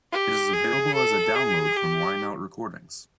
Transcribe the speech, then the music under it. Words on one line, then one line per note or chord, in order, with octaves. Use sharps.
It is available as a download from Line Out Recordings.
G4
G#4
A4
G#4
G4